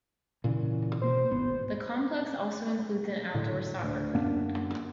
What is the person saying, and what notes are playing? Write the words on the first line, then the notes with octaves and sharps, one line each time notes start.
The complex also includes an outdoor soccer field.
A#2 C#3 E3
B2 A#3 C5
D1 G#1 B3
A2 D3
D2
F#2 A#3 B3 D4